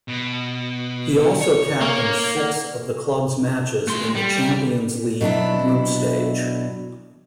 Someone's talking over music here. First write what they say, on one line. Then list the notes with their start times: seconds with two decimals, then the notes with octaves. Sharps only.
He also captained six of the club's matches in the Champions League group stage.
0.08 B2
1.41 C#5 D5
1.81 A#3 C#6 F6
2.37 D5 F#5
3.88 A3 C6
4.16 G3
5.21 B2 F#3 D4 E4